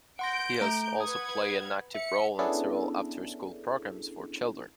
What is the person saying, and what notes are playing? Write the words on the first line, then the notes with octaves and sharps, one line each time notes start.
He has also played an active role in several after-school programmes for children.
F#5 C6 G6 A#6 D7
A3 A#5
B4 F#5 D#6 G#6
E5 C#7
B3 C#4 D4 E4 G#4 A4